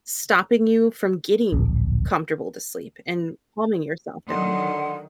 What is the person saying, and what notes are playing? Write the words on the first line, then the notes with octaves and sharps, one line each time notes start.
stopping you from getting comfortable to sleep and calming yourself down.
D1 A#1
D3 D#3 F#3 F#5 C6